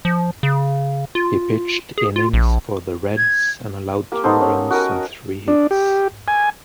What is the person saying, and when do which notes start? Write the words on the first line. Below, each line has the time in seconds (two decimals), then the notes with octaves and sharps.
He pitched innings for the Reds and allowed two runs and three hits.
0.05 F3
0.43 C#3
1.15 F4
1.98 G#4
2.16 F4
2.33 A#1
3.17 G#6
4.12 A#3 G4
4.24 B3 D#4 A4 C5
4.41 C#4 F5
4.70 F#4 A#4 G#5
5.48 D4
5.71 G4
6.28 G#5